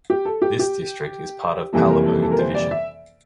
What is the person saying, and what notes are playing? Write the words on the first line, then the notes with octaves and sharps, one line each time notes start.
This district is part of Palamu division.
G4
A4
G4
G4
F2 C3 E3 G3 A#3 A4
A#4
A4
A4
A#4
C5
D5
E5